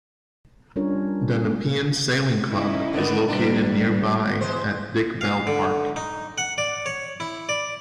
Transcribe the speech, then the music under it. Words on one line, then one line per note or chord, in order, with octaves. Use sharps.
The Nepean Sailing Club is located nearby at Dick Bell Park.
G3 C#4 D4 F4 A#4 C#5
C#4 D#4 E4
D3 D#3 B3
B2 G3 A#3 D4
E3 G#3 C5
F5
D3
D#4
F#5
D5
C#5
E4
D5